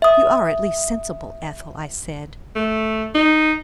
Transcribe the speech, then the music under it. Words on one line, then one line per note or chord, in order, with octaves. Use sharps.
"You are at least sensible, Ethel," I said.
E5 D#6
A3
D#4